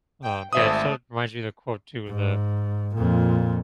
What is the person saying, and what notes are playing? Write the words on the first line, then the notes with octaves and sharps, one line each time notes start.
um Yeah, it sort of reminds you of the quote too, the
G5
G#1 A3 C5 E5 D#6
G#2
F2 A#2